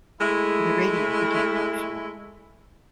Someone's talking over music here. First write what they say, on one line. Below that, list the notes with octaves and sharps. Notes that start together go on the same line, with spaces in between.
The radio became optional.
G#3 A3 E4